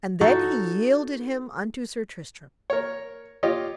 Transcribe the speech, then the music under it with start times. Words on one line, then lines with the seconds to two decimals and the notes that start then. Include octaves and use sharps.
And then he yielded him unto Sir Tristram.
0.21 D#4 F#4 A4 C#5
2.70 A#4 C#5
3.43 F4 G4 C#5 D#5